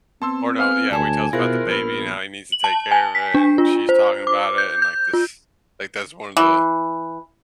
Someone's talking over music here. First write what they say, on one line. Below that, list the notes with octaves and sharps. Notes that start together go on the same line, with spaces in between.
or no yeah, where he tells about the baby, and how he needs to take care of it, and she's talking about it, and, like, this like, that's one of the
B3 C4 A5 C6 E6
B4 F5 G#5 F6
D2 D5 G#5 A5 G#6 C#7
B2 E4 F4 G#4 A#4 C5 F#6 A#6
A#1 F3 B3 B5
F#7
A5
G#5
B6
D4
F4
C5
D6
G6
G6
F4
E3